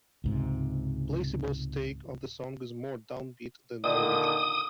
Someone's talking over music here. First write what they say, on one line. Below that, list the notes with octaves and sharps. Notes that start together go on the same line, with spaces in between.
Placebo's take on the song is more downbeat than the original.
C#2 G#2 C3
A#2 D3 D#3 D#6